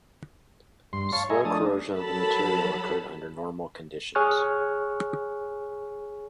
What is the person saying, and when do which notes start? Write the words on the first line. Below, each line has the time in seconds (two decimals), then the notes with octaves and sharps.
Slow corrosion of the material occurred under normal conditions.
0.93 G2 C6
1.13 C#5 F5 A5 C#6
1.30 G#4 D#5 E5 G#5 A#5
1.45 F3 A3 D4 A5 D#6
1.58 D4
1.95 F#3 A4 A#4 A5 B5
4.15 G#4 C#5 G#5 C#6 F6 F#6